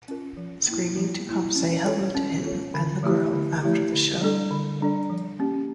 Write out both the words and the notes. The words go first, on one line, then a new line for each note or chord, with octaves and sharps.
Screaming to come say hello to him and the girl after the show.
C#4 F4 A#4
F3
A#3 E4
F3
A#3 E4
C#4
F4 A4 C#5
C#4
F4 A4 C#5
D3
F3 A3 E4 G4
D3
F3 A3 E4 G4
D3
G3 D4 A4 D5
D3
G3 D4 A4 D5
F3
A#3 C#4 G4